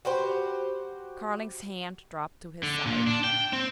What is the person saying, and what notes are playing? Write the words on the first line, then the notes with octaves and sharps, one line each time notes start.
Carling's hand dropped to his side.
F#4 G4 B4 C5
D3
A#2
D4
G5
C4